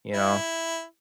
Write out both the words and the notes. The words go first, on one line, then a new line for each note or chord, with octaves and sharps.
you know?
E4